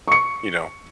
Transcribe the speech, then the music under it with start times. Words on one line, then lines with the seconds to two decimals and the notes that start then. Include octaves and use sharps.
you know
0.08 C#6 C#7